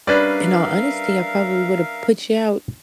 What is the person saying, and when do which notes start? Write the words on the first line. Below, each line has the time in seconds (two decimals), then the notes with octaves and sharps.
in all honesty, I probably would have put you out
0.07 G3 C#4 D4 A#4 B4 D5 E5 F5